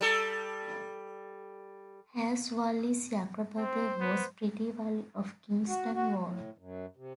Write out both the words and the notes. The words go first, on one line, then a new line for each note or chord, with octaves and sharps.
Hasse Walli's younger brother was Petri Walli of Kingston Wall.
G3 A4
C4 C5
B3
F#4
F#4
A2
F#2
C3